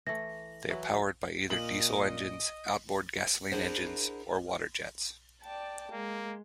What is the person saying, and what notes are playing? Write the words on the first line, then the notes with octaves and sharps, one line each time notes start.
They are powered by either diesel engines, out-board gasoline engines, or waterjets.
E3 A3 A#6
E3 F#3 B4
A#2 D#5 F#7
D4 E4 G#4 A#4 C5 F#5
D5 G5 A5
G#3 A#3